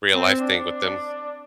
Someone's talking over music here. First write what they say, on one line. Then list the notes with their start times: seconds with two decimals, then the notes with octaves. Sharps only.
real life thing with them.
0.13 C4
0.43 D4